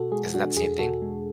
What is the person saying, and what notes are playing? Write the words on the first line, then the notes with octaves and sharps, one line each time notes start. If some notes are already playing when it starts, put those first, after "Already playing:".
isn't that the same thing?
Already playing: B2 F#4 A4
G#3 G#4
D4 F#4
E2 G#4
B2 F#4 A4
G#3